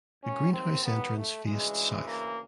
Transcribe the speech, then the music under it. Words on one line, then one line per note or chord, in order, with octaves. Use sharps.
The greenhouse entrance faced south.
D#2 D#3 C#4
C4
B3
A3
D2 C#3 E3 G#3
A#3